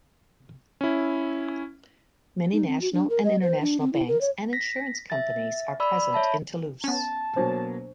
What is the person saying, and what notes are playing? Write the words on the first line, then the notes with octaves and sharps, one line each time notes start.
Many national and international banks and insurance companies are present in Toulouse.
C#4 E4
D#4
C4
F#4
D4
A#4
D#5
C5
D4
C4
E4
A#4
C#5
A#6 B6
E5 A6
D5 B5 E6
C#5 E5 A5 B5
B3 C#4 A5
B2 F#3 A#3 D4 C5